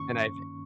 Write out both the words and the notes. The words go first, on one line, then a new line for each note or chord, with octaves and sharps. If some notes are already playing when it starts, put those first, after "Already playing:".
And I th
Already playing: G2 D#3 A#3 C#4 C#6